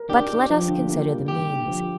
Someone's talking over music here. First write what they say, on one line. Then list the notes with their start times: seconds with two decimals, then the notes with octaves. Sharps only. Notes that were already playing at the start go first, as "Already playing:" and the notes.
But let us consider the means.
Already playing: A#4
0.10 D4 G4
0.29 D4
0.50 F3
0.68 D3
0.89 A#3
1.09 G3
1.28 D3 G4
1.48 D3
1.67 F3